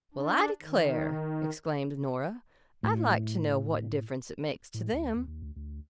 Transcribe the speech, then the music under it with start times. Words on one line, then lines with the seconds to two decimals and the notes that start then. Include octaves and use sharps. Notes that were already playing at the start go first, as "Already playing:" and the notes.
"Well, I declare," exclaimed Nora, "I'd like to know what difference it makes to them."
0.14 D4
0.62 D#3
2.83 A2
4.74 A2
4.93 D2
5.16 D#2
5.27 D#2
5.42 D2
5.56 D2